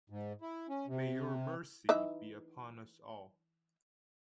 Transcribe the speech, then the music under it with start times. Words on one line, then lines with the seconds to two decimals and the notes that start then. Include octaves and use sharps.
May Your mercy be upon us all.
0.10 G#2
0.42 E4
0.69 C#4
0.87 C3
1.89 E3 D#4 E5